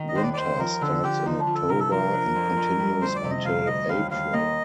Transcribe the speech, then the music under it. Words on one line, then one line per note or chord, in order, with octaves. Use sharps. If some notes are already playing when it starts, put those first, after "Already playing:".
Winter starts in October and continues until April.
Already playing: D#3
D#5
D#2 C5
D5
D5
D#2 C5
F3 A#4
D3 A4
D3 G4
F3 D#4
D4
F3
A4
C3 A#4
A4
F3 A#4
D4
F2
F2
G3
D2 C5
D5
C3
D#5
D2 F5
D2 D#5
D#2 F5
D#2 F5
A#3 D#5